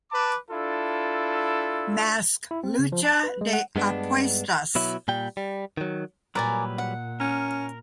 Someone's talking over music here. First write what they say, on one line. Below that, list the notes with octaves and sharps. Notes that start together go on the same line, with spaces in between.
Mask "Lucha de Apuestas".
B4 A5 D6
D4 E4 F4 A4
E4
C4
C#3
F3
A5
B4
G#3
F#5
G2 G#3 B3 D4
B2 F#3 E4
A#2 G3 G5
G3
D#3 F#3
A#2 F#3 G3 A#4 B4 D5 G#5
F#5
C#4 A#4